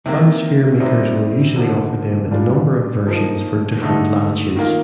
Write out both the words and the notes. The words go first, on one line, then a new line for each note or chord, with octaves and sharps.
Planisphere makers will usually offer them in a number of versions for different latitudes.
C3 D#3 A#3
C3 G3 C4 D#4
D3 F3 A#3 D#4
A#2 G3 D4 F4
F3 A#3 D#4
D3 A3 D#4
D#3 A#3 F4